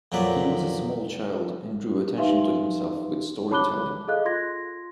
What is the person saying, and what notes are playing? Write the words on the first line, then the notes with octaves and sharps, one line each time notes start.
He was a small child and drew attention to himself with storytelling.
F2 A#2 F#3 B4 D5
D#4 G4 B4 E5 F5 C6
C#5 A5 B5 D6 F#6 G7
G#4 A4 D#5 F5 F#6
F4 C6 G#6 A#6